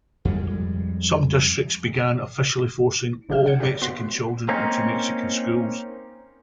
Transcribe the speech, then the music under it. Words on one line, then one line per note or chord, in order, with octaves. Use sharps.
Some districts began officially forcing all Mexican children into Mexican Schools.
F2 G3 G#3
A#1 D3 F#3 G4 F6 E7
F#5 G6 G#6 C#7
G4 A4 B4 C#5 D5
B3 F#4 C6 F#6 B6 C7
A#3 C4 C#4 D#4